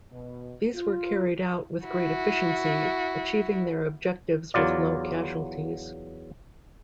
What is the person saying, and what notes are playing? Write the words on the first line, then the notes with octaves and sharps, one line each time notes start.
These were carried out with great efficiency, achieving their objectives with low casualties.
B2
F4
E4 F#4
E2 F#3 F4 D5